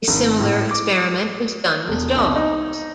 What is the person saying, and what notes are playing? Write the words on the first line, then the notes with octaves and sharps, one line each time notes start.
A similar experiment was done with dogs.
G#1
A2
D6
E1
C2
D#4